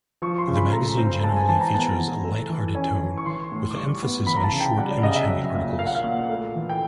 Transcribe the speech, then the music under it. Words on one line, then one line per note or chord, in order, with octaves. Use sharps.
The magazine generally features a light-hearted tone, with an emphasis on short, image-heavy articles.
F3 C#6
C6
C#3
B5
A3 A#5
C4
G#3 A5
G#5
E3 A5
A#5
B3 A5
E3
A3
E3
C#4 G#5
E3
C#6
E3 C6
A2
D6
G3 C#6
B3
E3 B5
A#5
A5
C#3
G5
G3 F#5
D5
C#3 D#5
E5
F#3
A#2
A#3 F5
F#5
F5
A#2
A3
E3
G5